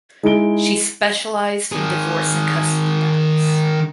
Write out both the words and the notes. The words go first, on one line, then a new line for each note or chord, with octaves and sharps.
She specialized in divorce and custody battles.
G#3 D#4 E4 G#4 D7 G7
D#3 G#4